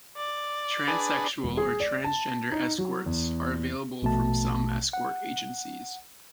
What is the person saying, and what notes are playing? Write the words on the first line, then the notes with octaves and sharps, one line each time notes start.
Transsexual or transgender escorts are available from some escort agencies.
D5
D4 G#4 B4
E1
G#4
D5
A5
D#4
F#3
E2
A#1 B2 A3 A5
F#5